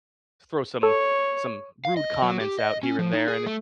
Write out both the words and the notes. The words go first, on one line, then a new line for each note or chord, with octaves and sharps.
throw some some rude comments out here and there, and
A4 C#5
F5
D#5
F#3
G4
D#5
C#4
F3
D#4
G#4
A3